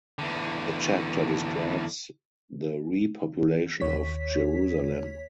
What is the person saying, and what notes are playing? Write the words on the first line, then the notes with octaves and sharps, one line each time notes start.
The chapter describes the repopulation of Jerusalem.
E2 D3
D#2 C#5 B6